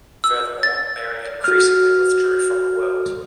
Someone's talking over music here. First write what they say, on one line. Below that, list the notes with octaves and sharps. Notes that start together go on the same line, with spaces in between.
Furthermore, Mary increasingly withdrew from the world.
E6
A6
F#4 F6